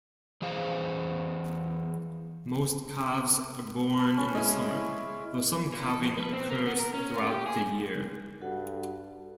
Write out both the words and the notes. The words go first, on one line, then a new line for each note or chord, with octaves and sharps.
Most calves are born in the summer, though some calving occurs throughout the year.
E3 G#4 C5 F5
A5 B5 F6
C#4
G#3 E4 D#5
A#2
A4
F2
B4
C4
A#3
B3
A#4
C#4
F4
G4
G#4
G2 F#4 A4 F#5